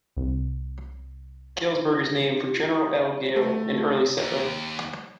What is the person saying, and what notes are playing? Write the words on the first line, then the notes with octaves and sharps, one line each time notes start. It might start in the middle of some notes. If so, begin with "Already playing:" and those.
Galesburg is named for General L. Gale, an early settler.
C2
E4
A#6
D4
C#7
G4
F4
D#6
E5
A3
D#2